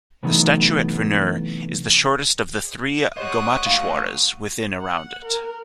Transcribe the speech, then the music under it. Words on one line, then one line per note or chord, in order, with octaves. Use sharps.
The staue at Venur is the shortest of the three Gommateshwaras within around it.
C3 E3 F#3 A3 B3 D#4
G4 C5 C#5 D#5 F#5 C#6 D#6 F#6
A3 D4 F#4 F5 B5
F#5
A#4